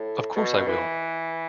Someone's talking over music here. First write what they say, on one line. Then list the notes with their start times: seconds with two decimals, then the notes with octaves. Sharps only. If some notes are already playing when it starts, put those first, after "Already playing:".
Of course I will!
Already playing: A2
0.36 B2
0.68 E3